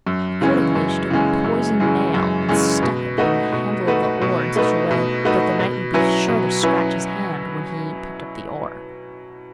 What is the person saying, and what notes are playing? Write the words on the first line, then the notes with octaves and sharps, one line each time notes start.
Accordingly she took a poisoned nail and stuck it in the handle of the oar in such a way that the knight would be sure to scratch his hand when he picked up the oar.
F#2
C#3 E3 G#3 C#4
F#2
C#3 E3 G#3 C#4
F#2
C#3 E3 G#3 C#4
F#2
C#3 E3 G#3 C#4
B2
A3 D#4 F#4 B4
B2
A3 D#4 F#4 B4
B2
A3 D#4 F#4 B4
B2
A3 D#4 F#4 B4
B2
F#3 C#4 E4 B4
B2
F#3 C#4 E4 B4